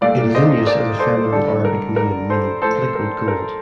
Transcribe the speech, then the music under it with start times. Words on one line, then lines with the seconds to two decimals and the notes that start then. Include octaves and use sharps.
It is in use as a feminine Arabic name meaning "liquid gold".
0.01 C2 A#2 A3 D5 F5
0.35 C5 D#5
0.67 A#4 D5
0.99 A4 C5
1.31 G2 D3 G3 D4 A4
1.65 A#4
1.96 A#4
2.30 A4 C5
2.62 A#1 A2 A3 A4 C5
2.95 A#4
3.28 A#4